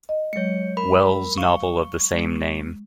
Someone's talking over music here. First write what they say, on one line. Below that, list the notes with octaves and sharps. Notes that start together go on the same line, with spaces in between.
Wells novel of the same name.
D#5
F#3 G#3 C#5 C#7
A#4 B5
F5 C#6
G#3